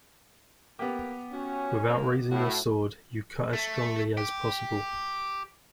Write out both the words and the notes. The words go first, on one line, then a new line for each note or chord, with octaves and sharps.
Without raising your sword, you cut as strongly as possible.
A#3 B3 G4
C#4 F#4
A#3
A2 F#4
A3
G4